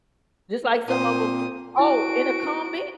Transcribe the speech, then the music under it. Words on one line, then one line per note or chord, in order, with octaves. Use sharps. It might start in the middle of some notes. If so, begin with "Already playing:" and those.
just like some of 'em Oh, in a comment,
A#2 C4 C5 D#6
E4 F#4 D7